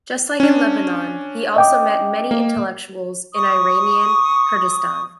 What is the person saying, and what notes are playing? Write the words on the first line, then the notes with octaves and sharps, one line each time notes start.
Just like in Lebanon, he also met many intellectuals in Iranian Kurdistan.
C#4 D4
D#5 G5 D6
A#3
C#6 D#6